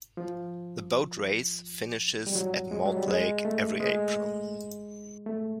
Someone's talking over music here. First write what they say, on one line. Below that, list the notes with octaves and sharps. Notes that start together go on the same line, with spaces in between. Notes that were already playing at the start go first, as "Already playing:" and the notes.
The Boat Race finishes at Mortlake every April.
F3
G3
F#3
G#3
F#3
G3
G#3
A3
G#3
A3